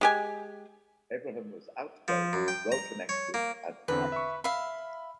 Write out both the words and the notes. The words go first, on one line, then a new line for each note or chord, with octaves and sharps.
Abraham was outgoing, well-connected, and practical.
G#3 G4 G#5
F3
F#2
G5
A#5
C#5
A#3
E2 D3 C4 B4
E5 C#6
E5 F5 B5